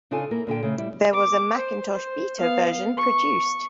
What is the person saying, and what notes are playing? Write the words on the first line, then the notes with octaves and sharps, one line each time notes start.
There was a Macintosh Beta version produced.
C#3 D4 D#4 F4 A4 G#5
A#3 E4 A#4
A#2 D3 A4 G5
C#3 A3
G3 E4
D6
C5
C5
B3 F5
C#6